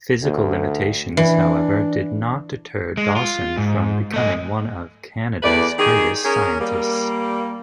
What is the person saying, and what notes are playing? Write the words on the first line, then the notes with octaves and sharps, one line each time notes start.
Physical limitations, however, did not deter Dawson from becoming one of Canada's greatest scientists.
D2
E3 D4
G#3
F4
G#2
A3 D#5
E2 A3 B4 D5
D#3 G4 G#4
C#4 G#4 A#4
G3 A#3